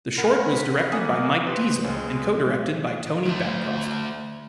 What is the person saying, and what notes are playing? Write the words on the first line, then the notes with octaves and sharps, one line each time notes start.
The short was directed by Mike Disa and co-directed by Tony Bancroft.
A#4 F#5 B5
A#3 F#5 G#5 D#6
G4 B4 C5
C#2 G#3
D2 A3